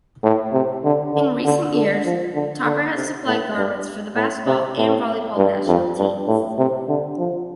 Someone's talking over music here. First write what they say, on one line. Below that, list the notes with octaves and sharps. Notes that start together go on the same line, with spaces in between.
In recent years, Topper has supplied garments for the basketball and volleyball national teams.
A2
C3
D3
D3
D3
D3
F3
D3
D3
C3
A2
G2
A2
C3
A2
G2
F2
G2
A2
C3
D3
F3